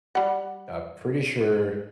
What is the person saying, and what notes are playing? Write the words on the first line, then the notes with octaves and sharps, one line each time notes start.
I'm pretty sure
G3 F#5